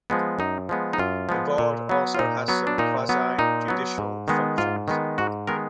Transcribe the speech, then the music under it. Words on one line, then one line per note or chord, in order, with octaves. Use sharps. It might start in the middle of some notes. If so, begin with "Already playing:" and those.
The board also has some quasi-judicial functions.
F3 G#3 B3
F#2 D#4
F3 G#3 B3
D#4
F#2 F4
F3 G#3 B3
A#2
F#3 B3
F4
A#2 D#4
F#3 B3
D4
A#2 D#4
F#3 B3
A#2 D#4
F#3 B3
G#2
D#3 G#3 B3
G#2 F4
D#3 G#3 B3
G#2 F#4
D#3 G#3 B3 A#4